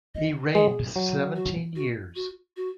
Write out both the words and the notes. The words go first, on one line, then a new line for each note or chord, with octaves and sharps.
He reigned seventeen years.
D#5
G#3 G#4
F#3
F#4
F#4
F#4
F#4